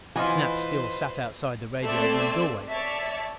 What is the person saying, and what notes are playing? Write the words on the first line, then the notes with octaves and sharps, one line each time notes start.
Snap still sat outside the radio room doorway.
E3 F4 B4 C5 D#5 F#5 G#5
A3 C4 D5 C6 E6 G#6
C#5 D5 E5 A5